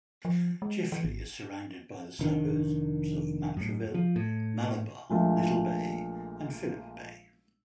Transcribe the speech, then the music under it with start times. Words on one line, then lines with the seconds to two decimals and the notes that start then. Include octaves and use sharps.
Chifley is surrounded by the suburbs of Matraville, Malabar, Little Bay and Phillip Bay.
0.25 F3
0.62 G#3
0.92 E3
1.04 G#1
2.19 F1 D#3 D4
3.57 F#2 A2
3.94 F3
4.16 A2
5.10 A#1 A#2 G#3 A3